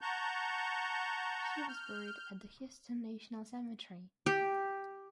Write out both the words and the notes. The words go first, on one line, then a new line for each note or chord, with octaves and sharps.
He was buried at the Houston National Cemetery.
F#5 A5 A#5 C#6 G6
F6 G6
G4